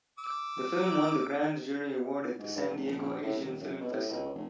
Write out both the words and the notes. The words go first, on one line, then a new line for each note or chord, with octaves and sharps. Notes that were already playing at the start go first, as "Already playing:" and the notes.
The film won the Grand Jury Award at the San Diego Asian Film Festival.
D6 E6
G#2
G2
F1
A#1
A2
D#1
F#2
B2
A2
C#2
F1